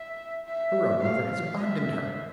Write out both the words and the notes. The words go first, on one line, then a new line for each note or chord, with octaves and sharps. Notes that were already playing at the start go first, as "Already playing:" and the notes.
Her own mother has abandoned her.
Already playing: E5
E5
F5
E5